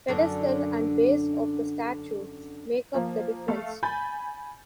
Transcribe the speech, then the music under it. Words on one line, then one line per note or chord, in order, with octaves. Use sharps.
Pedestal and base of the statue make up the difference.
F#2 D3 D4
F3 A#3
A3 A4 F5
G#5 B5 G6 A6